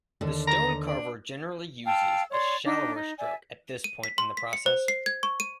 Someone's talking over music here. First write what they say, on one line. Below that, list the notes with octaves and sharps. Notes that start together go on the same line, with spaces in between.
The stone carver generally uses a shallower stroke at this point in the process.
D#2 D3
A#5
D4
F5 G5 A5 E6
C#5 D5 C6
D4 D#4
D#4
D5 E5 G#5
D#7
B6
C6
B6
C#7
C5
C7
G#6
C#6
D#7